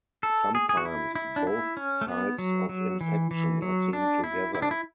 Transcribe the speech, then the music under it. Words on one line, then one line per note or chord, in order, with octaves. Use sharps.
Sometimes, both types of infection are seen together.
A4
G#4
G#4
F#4
E4
E4
D4
E4
C#4
A3
B3
F#3
F#3
E3
E3
F#3
D4
E4
E4
D4
E4